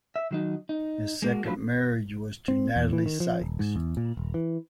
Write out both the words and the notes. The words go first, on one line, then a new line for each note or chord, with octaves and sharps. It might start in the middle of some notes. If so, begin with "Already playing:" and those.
His second marriage was to Natalie Sykes.
E5
D#3 F#3 D#4
D#4
G#3 A#3 F#4
F3 F#3 A3 F4 B4
C4
E2
E3
D#3
F3
D#1
G#2
E2
A#2
D#1
E3